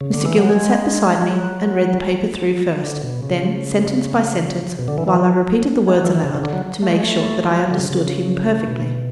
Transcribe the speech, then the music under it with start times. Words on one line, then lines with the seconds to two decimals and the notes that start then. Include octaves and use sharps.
Mr. Gilman sat beside me and read the paper through first, then sentence by sentence, while I repeated the words aloud, to make sure that I understood him perfectly.
0.01 C#3
0.13 D3
0.25 E3
0.38 F#3
0.49 G#3
1.22 G#3
1.28 F#3
2.84 D3
3.03 B2
3.22 C#3
4.79 B2
4.88 D3
4.98 E3
5.08 E3
5.87 G#3
5.95 F#3
6.04 E3
6.15 E3
6.24 C#3
6.34 C#3
6.44 D3
6.53 F#3
6.82 A3
6.94 G#3
7.03 A3
7.51 G#3
7.60 F#3
7.70 D3
7.79 C#3
7.90 C#3
8.67 B2